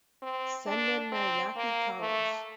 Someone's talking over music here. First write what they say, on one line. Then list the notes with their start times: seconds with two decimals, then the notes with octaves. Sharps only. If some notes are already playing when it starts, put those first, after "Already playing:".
Senanayake College.
0.22 C4
0.67 D4
1.12 C4
1.57 A#3
2.01 A3